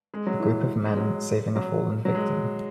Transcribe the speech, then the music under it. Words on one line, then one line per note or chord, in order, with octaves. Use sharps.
A group of men saving a fallen victim.
G#3
F#3
E3
G#3
F#3
F#3
F#3
G#3